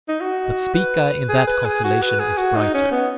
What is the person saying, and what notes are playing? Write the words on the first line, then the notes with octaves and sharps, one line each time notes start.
But Spica in that constellation is brighter.
D#4
F#4
B4
G#4
B4
G#4
F#4
B4
G#4
F#4
D#4
C#4
B3